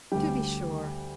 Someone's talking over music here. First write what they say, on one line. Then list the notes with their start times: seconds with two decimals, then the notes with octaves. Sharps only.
To be sure!
0.12 D2 D3 G3 G4